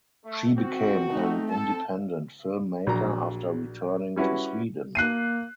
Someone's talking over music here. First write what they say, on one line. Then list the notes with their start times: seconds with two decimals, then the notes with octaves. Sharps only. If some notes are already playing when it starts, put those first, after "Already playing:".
She became an independent filmmaker after returning to Sweden.
0.25 A3
0.58 C4 F#4
1.10 A3 D#4
1.52 A4 A5
2.87 A#1 F#3 A#5
4.16 G3 C#4 E4 F#4 B4
4.95 A#3 F#6 C7 D#7